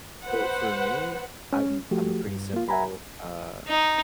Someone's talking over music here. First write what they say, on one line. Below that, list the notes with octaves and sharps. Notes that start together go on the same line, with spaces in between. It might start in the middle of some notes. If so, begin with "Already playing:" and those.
So, for me, I'm I'm a pretty simple, uh,
B4 C5 F#5
C#4
F3 A3 F#4 G4
G2
A#3 F4
E5 F#5 G#5 A#5 B5
D#4